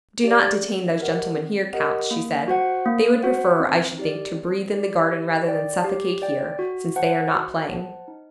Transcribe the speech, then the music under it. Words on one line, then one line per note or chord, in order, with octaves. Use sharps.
"Do not detain those gentlemen here, count," she said; "they would prefer, I should think, to breathe in the garden rather than suffocate here, since they are not playing."
G4 D5
C4
G4 A#4 D#5 F#5
C4
G4 A#4 D#5 F#5
A#3
F#4 C5 F#5
A#3
F#4 C5 F#5
C4
D#4 G4 D5
C4
D#4 G4 D5
G4
D5 G5
G4
D5 G5
F#4
C5 F#5 A5
F#4
C5 F#5 A5
D#4